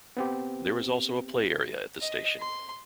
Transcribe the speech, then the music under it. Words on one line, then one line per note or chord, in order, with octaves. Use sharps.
There is also a play area at the station.
B3 C4 G4
D#5
C6